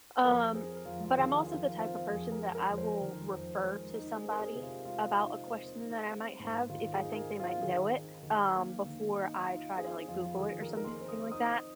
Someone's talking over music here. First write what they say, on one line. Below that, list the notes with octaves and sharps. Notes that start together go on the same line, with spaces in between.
um, but I'm also the type of person that I will refer to somebody about a question that I might have if I think they might know it, um, before I try to, like, Google it or something like that,
F2 A#4
C4 G#4
F2 F4
F4
D#3 G#4
F2 F4
C4 F4
F2 G#4
A#4
G#3
A#4
F2
C5
D#3
F2
G#3
D#4
G#4
C4
A#4
G#4
C3
F4
G#3 F4
D#4
C4
D#4
C4
G#2
D#3 F4
G#4
D#4
G#4
A#4
C4
F4
D#3 G#4
D#4
D#3
A#3
D#3
D#4
D#4 F4
C4 G#4
F2 F4
D#3 G#4
A#4
D#4 G#4
A#4
C6
C4
D#6
D#4 D#6